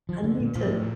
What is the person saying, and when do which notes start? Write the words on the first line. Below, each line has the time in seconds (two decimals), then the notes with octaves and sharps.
I need to
0.09 F3
0.24 D3
0.40 A#2
0.55 A#2 F3
0.66 G2
0.71 A2
0.80 A#2